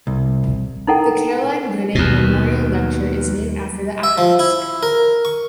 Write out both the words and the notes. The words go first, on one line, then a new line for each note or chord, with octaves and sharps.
The Caroline Gooding Memorial Lecture is named after the activist.
C2
D#4 E4 A4 A#4 F#5 G5
D#2 B2
E5
F3
E4
A#4
C#6